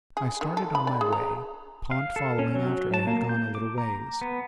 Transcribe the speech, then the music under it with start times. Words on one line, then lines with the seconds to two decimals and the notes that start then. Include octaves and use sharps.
I started on my way, Pont following after I had gone a little ways.
0.17 G#4
0.41 D#3
0.57 A4
0.75 B5
0.87 D5
1.01 G#4
1.12 A#5
1.91 F5
2.16 A4
2.39 C#4
2.56 F#3
2.94 A5
3.07 A#3
3.29 G6
3.55 D6
3.78 A#5
4.21 B3